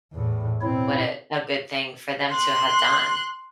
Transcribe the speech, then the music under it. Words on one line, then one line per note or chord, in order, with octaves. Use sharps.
What a a good thing for them to have done."
E2 A2
B2 C4 E4 C#5
C6 F#6